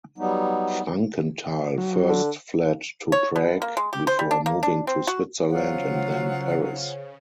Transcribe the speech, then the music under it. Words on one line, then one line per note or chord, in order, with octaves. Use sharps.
Frankenthal first fled to Prague before moving to Switzerland and then Paris.
F#3 G3 B3 D#4
F#3
D3
C#5
B2
A#3
G#3
G4
C5
G3
D4
A#3
D4
C4
F#4
C#3 F#3 F4 C5 C#5 F5 F#5